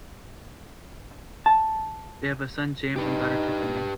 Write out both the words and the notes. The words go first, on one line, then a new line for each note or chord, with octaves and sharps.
They have a son James and daughter Tiffany.
A5
D#4 G4 B4